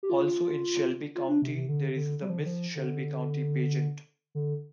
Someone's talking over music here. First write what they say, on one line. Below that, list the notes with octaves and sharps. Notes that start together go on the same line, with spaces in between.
Also in Shelby County there is the Miss Shelby County Pageant.
G4
F4
F4
D4
C3
C3
D3
D3
G3
F3
D3
F3
D3
D3